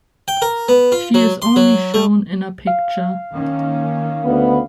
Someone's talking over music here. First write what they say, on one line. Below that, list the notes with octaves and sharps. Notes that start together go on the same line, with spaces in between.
She is only shown in a picture.
G5
A#4
B3
F4
F#3
C6
F#3
A3
F5
D#3 A#3 C#4
D2 B3